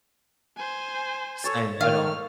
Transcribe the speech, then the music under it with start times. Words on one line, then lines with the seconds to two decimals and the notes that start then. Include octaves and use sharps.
Saying I don't
0.57 C5 G#5
1.44 A4 C#5 A5
1.81 D#3 F5 F6